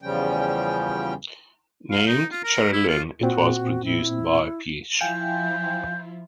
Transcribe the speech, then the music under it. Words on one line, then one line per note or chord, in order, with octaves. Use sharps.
Named "Cheryl Lynn", it was produced by Paich.
E2 C#3 F3 G3 C#4 G5
F5
D#4
F4
A#4
E4
F4
A#2 C4 F#4
E4
F3 E4 F4 F5 G5 G#5 G6